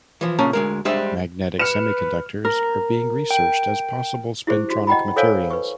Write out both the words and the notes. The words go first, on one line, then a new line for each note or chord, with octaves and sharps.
Magnetic semiconductors are being researched as possible spintronic materials.
E3 F3
A#2 C#3 C#4 A5 A#5
D2 G#3 A#4
G3 G#3 D4 C5 E5
B4 F6 C#7 E7
A#4
G5
E4 G4 G#4 C5
F#4
D#5 F#5 G5 A#5 B5
A4 A#4 C5 C#5 F5 G#5
B4 C#6